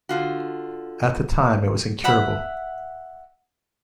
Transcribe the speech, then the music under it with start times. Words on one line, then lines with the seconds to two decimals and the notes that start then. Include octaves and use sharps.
At the time it was incurable.
0.09 D3 F4 F#4
2.04 E5 F#5 B5